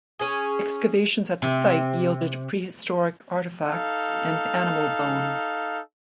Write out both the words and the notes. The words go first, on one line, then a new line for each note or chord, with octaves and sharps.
Excavations at the site yielded Prehistoric artifacts and animal bone.
C#4 G#4
C3 C4 E5
D#4 A4 F5